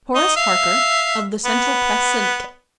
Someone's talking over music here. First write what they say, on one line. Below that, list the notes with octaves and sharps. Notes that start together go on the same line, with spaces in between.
Horace Harker, of the Central Press Syndicate.
D#4 D#5
E5 F5
B3